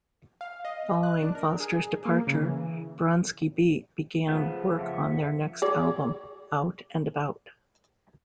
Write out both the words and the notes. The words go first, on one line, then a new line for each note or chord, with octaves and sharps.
Following Foster's departure, Bronski Beat began work on their next album, "Out and About".
F5
D#5
F#6
D4
A#4
G#4
A#3
C#3
E3
C#3 F3 A3 B3
F2 E5 F#5
G#4 C#5 D5